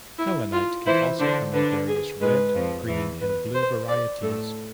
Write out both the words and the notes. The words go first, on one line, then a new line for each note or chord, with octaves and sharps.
Helenite can also come in various red, green and blue varieties.
E4
F4
E3 E4 C5
D3 D4 C5
D3 D4 B4
G#4
G#2 G#3 B4
F2 F3
E2 E3
B4
C5
D5
A2 A3 A4